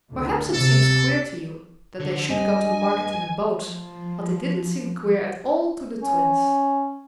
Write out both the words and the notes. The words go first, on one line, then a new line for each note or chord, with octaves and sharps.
Perhaps it seems queer to you that they should go to market in a boat, but it didn't seem queer at all to the Twins.
D2 D3
C3 A4
D3
G2 D#5 G#5
F3
C#4